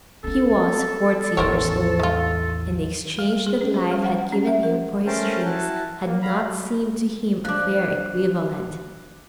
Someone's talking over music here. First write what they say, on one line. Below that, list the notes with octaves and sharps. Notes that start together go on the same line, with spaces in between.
He was forty years old, and the exchange that life had given him for his dreams had not seemed to him a fair equivalent.
B3 C#4 A4
A1 E2 A#4 C5 C#5
D#3 F4 A4
G3
G#4
C#4
C5
G3
F#5
F#5
C#4
E5
A#4
A3 C#4 A#4 C5 G5 A5
E4 F#4 A5
A#3
F5 A#5 B5
F3 D4 D6 F#6